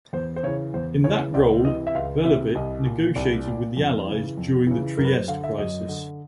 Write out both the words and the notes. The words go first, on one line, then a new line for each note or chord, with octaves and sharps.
In that role, Velebit negotiated with the Allies during the Trieste Crisis.
E2 C5
C5
C#3 E3 C#5
E2 C5
C#3 E3 C#5
C#2 D5
C3 E3 D#5
E5
C#2 F5
C3 E3 E5
C2 D#5
A#2
C2 D5
A#2
F2
C#3 E3
F2
C#3 E3
F#2 A#4
B4
C5
D3 F5
E5
F#2 D#5
D3